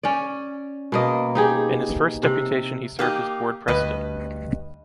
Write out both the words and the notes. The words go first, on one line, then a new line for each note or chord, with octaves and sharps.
In his first deputation he served as Board President.
C#4 D5
B2 A#3 D#5
D#4 G4 G#4
C3
A#3 D#4 G4
D2 G2 B4 D#5